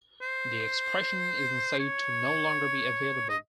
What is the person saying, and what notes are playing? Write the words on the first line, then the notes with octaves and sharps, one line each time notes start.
The expression is then said to no longer be available.
C5
C#5
D#5